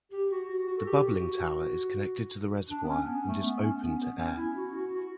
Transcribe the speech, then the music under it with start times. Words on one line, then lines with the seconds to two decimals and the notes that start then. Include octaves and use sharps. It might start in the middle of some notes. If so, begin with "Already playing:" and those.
The bubbling tower is connected to the reservoir and is open to air.
0.11 G4
0.31 F#4
0.49 F#4
0.67 F#4
0.78 A4
0.86 G4
1.04 F#4
2.70 D4
2.83 B3
2.89 C#4
3.07 B3
3.26 A3
3.44 B3
3.62 C#4
3.81 B3
4.00 B3
4.18 C#4
4.37 E4
4.56 F#4
4.74 F#4
4.93 F#4